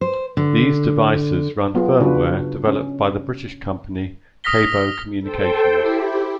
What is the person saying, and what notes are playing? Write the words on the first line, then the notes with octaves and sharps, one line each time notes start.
These devices run firmware developed by the British company Cabot Communications.
C5
D3
F#3 B3 F4 G#4
C#3 D4 F4 F#4 B4
C#4
D#6 F6 A#6 B6 G7
A4 C5 G5
E4 G4